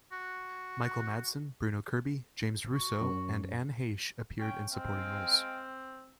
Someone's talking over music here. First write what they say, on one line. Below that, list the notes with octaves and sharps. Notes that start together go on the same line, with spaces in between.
Michael Madsen, Bruno Kirby, James Russo, and Anne Heche appeared in supporting roles.
F#4
F#4
F#2
C#4 G5
G#3 C4 F5 G5